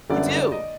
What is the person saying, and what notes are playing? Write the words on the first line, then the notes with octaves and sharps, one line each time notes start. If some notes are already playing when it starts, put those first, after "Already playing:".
You do.
G1 F#2 D3 D5
D5
D#5